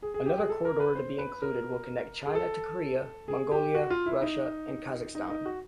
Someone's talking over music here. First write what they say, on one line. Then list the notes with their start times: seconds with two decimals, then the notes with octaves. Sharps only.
Another corridor to be included will connect China to Korea, Mongolia, Russia and Kazakhstan.
0.02 G#4
0.14 G#4
0.26 G4
0.38 G#4
0.49 A4
0.65 A#4
0.80 B4
0.96 C5
1.18 B4
1.42 A#4
2.26 G#4
2.35 A4
3.28 G#4
3.51 G4
3.75 F#4
3.90 F4
4.06 E4
4.21 D#4
5.15 D#4
5.30 D#4
5.45 F#4